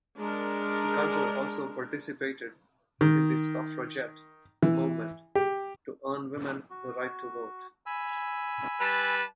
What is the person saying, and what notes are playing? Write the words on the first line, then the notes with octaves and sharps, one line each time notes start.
Gunter also participated in the Suffragette movement to earn women the right to vote.
G#3 D4 A#4
D#3
E3
G4
F#4
G#5 B5 E6
G3 B4 A5